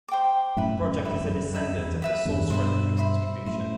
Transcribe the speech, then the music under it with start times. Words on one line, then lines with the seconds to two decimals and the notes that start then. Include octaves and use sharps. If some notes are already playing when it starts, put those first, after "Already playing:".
The project is a descendant of the Sorcerer Linux distribution.
0.08 C5 G5 D6
0.57 F#2 A2 B4 E5 B5
0.81 F#2
1.05 G2 B4 E5 B5
1.13 F#2
1.20 E2 G2
1.29 F#2
1.54 F#2 B4 E5 B5
1.78 E2
2.02 B4 E5 B5
2.25 E2 G2
2.50 G2 B2 C5 E5 B5
2.98 C5 E5 B5
3.46 F#2 A2 C5 E5 B5